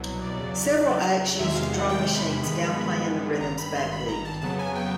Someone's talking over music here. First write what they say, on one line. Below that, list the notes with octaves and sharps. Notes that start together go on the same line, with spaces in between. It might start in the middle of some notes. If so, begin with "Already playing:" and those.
Several acts used drum machines downplaying the rhythm's backbeat.
Already playing: C2 B2 F#3
D5
E2 C#3 F#3
E2 C3 D#3 G#3 E5
F5
F#5
G5
B5
G2 D#3 G#3 B3
G#1 G2 D#3 A#5
B5
C6
B5
A#5
A5
F2 C#3 F#3 B3 A5
G#5
G5